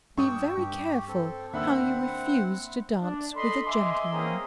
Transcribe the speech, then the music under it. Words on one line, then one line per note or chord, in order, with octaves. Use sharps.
Be very careful how you refuse to dance with a gentleman.
G2 D4 G5 C#6 D#6 E6
G2 G4
C4 A4
D#2 A#3 C4 D4 E5 F#5 B5 E6
D4
A4 D#5 B5 C6
D#5 E5 G#5 C6 D6
A#3 C4 C#4 G#4 A#5 D#6